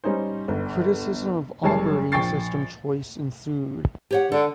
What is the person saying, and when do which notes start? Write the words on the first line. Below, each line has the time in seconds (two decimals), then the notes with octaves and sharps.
Criticism of operating system choice ensued.
0.04 G3 C#4 D#4 C5
0.48 G1
1.64 F#1 G3 C#5 A5 C7
2.12 A#1 G5 C#6 A6 C7
4.11 G4 C#5 F#5
4.32 D3 A4